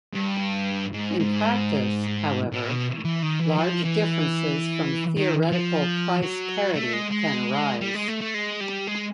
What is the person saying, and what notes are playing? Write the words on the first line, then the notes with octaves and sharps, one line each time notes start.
In practice, however, large differences from theoretical price parity can arise.
G2
G#2
G#2
A2
B2
E3
D#3
E3
F3
E3
D#3
F3
F#3
A3
G#3
G#3
G3
G#3
A3
A3
G#3
G3
G#3